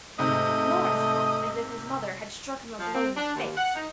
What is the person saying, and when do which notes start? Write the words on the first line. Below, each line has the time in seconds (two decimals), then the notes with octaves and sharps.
Lawrence looked as if his mother had struck him a blow in the face.
0.19 G#2 C3 A3 D#5
2.79 F3
2.94 C4
3.17 D4
3.36 D#2
3.56 F#5
3.75 D#4